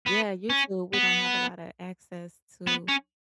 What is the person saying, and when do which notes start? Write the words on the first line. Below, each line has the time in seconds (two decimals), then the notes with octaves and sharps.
Yeah, YouTube, we don't have a lotta access to
0.06 B3
0.50 C#4
0.93 B3
2.67 B3
2.89 C#4